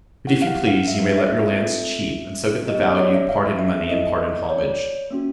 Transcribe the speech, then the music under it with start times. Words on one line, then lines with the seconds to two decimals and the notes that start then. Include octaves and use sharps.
But if you please you may let your lands cheap, and so get the value, part in money and part in homage.
0.27 B3 E4 G4 F#5
0.42 F5
0.47 F#5
0.68 F5
0.88 E5
1.18 E5
1.48 C4 F4 A4
2.68 B3 D#4 G4 D#5
2.83 D5
2.99 C#5
3.14 E5
3.29 F5
3.59 E5
3.84 E5
3.89 B3 E4 A4 D#5
4.42 D5
4.50 C#5
5.11 A#3 C#4 F#4